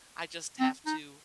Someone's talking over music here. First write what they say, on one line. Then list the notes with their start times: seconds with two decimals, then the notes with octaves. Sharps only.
I just have to
0.60 C4
0.87 D#4